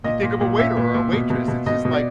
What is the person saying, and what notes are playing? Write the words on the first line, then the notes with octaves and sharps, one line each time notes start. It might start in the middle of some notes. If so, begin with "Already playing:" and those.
you think of a waiter or a waitress, it's just, like
A#2 D#5
A#2
A#2
A#2 E5
A#2
A#2
B2
B2
B2
B2 D#5
B2
D5